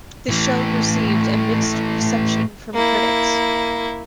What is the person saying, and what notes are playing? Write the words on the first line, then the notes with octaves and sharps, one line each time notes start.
The show received a mixed reception from critics.
A2 E3
A#3 E4